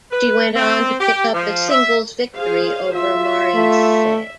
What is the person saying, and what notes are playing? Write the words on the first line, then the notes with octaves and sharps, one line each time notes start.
She went on to pick up a singles victory over Maryse.
B4
C4
G4
F3
E5
G#4 C5 F5
F4 E5
A3